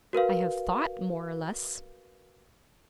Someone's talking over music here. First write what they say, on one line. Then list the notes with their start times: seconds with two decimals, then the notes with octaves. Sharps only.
'I have thought more or less.'
0.13 F#4 A#4 B4 F5